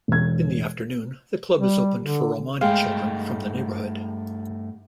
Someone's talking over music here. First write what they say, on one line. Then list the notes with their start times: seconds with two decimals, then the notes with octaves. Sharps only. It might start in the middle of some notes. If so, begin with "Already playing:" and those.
In the afternoon the club is opened for Romani children from the neighbourhood.
0.08 E1 G#6
1.60 G3
2.01 D3
2.61 G2 G#3 A3 F5 G5